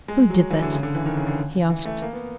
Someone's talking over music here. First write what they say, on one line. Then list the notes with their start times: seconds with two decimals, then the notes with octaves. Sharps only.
"Who did that?" he asked.
0.08 G#3
0.30 F#3
0.50 E3
0.62 D3
0.72 C#3
0.83 D3
0.95 E3
1.06 D#3
1.16 C#3
1.27 D3
1.70 E3
1.85 A3
2.02 A#3
2.13 B3